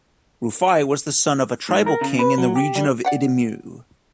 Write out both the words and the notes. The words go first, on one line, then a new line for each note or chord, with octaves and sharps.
Rufai was the son of a tribal king in the region of Idimu.
G#2
A#4
C#3
B4
F#3
G4
G3
D5 F#5 G5